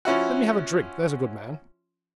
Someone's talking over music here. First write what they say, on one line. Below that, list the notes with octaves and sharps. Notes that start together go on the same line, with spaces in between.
Let me have a drink, there's a good man.
F3 C#4 E4 F#4